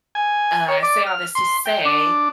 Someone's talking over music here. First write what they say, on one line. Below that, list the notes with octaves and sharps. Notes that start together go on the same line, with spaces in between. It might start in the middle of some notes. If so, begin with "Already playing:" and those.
I say all this to say,
G#5
C#5
D5
F6
C6
G5
D4